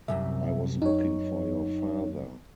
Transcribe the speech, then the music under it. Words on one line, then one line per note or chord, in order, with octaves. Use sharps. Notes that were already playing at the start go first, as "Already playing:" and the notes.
I was looking for your father.
C2 F#2 C3 E5
F#2 D#4 C#5